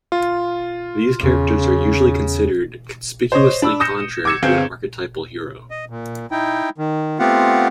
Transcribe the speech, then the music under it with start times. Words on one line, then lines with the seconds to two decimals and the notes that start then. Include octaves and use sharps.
These characters are usually considered "conspicuously contrary to an archetypal hero".
0.12 F4
1.23 E2 C#3
3.32 C5 C#5 D#5
3.62 D4 B5 E6
3.80 D#6 G6 A#6 C#7 E7
4.25 D6 E6 G#6 C#7 E7
4.43 G1 C4 G#4 F5 G6
5.71 D#5
5.90 A#2
6.31 D#4 E4 G5
6.78 D#3
7.19 A3 B3 C4 F4 G4 F#5